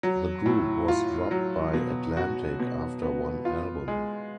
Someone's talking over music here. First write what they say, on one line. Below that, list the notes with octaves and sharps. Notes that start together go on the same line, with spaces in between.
The group was dropped by Atlantic after one album.
F#3
A2
F4
F#3
B2
F#4
B2
B3
F4
G#3